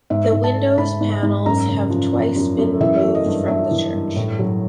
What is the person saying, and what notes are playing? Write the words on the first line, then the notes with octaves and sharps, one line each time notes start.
The windows panels have twice been removed from the church.
G#2 E5
G#2
A5
A3
G#2 B5
G#2
G#2
F#2 A#5
C#3
F3
F3
F#2
F#2
E3 E5
A3
D#5
G2
G2 E5
E3
G2
A2
F#3